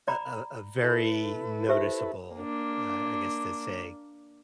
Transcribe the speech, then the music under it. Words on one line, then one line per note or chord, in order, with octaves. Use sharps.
a a a very noticeable, I I guess, to say,
D5 A#5 B5
E4 A4 B4
G4 C5 E5
A#3 D4